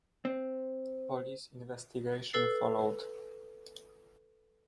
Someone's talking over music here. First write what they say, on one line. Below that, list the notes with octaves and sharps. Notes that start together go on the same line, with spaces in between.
Police investigation followed.
C4
A4 B4 E6 A6 C7